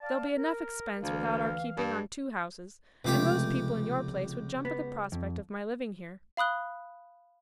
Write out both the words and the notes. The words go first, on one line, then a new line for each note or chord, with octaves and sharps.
There'll be enough expense without our keeping on two houses; and most people in your place would jump at the prospect of my living here.
D5 F5 A5
A#4
D2 E3 F5
G2
C#2 C3 F3 A3 G4 G5
B3
F2
F5 B5 D#6 F#6 G7